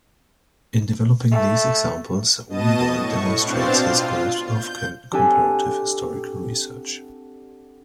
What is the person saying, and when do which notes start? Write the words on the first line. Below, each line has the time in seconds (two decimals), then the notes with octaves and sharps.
In developing these examples, Weber demonstrates his grasp of comparative historical research.
1.32 A3
2.48 B2 D#5 A5 D#7
2.94 A2 C#6
3.44 B2 C4 D4 C5 F5 A6
3.80 F4
4.47 G6
5.12 C4 D4 G4 A4 F#5 G#5